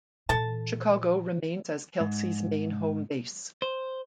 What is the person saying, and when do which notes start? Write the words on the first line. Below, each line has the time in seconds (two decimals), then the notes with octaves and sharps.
Chicago remains as Kelsey’s main home base.
0.29 A#2 E3 A4 A5
2.00 G#2
3.62 C5